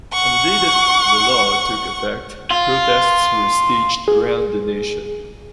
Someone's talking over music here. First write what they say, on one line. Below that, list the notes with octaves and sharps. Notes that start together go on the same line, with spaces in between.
On the day that the law took effect, protests were staged around the nation.
F#5 C#6
F4
G#4